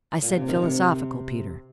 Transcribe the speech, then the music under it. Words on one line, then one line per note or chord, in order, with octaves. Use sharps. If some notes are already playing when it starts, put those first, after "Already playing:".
"I said 'philosophical,' Peter."
A#2
C3
D#3
C3